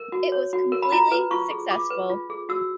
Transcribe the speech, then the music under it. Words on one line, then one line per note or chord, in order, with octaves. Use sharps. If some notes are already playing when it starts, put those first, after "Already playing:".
It was completely successful.
Already playing: A#4
F#4
C#5
F#4
A#4
B5
F4 A#5
B4
F4 C#6
G#4
F4 D6
B4
F4
G#4
F#4 E6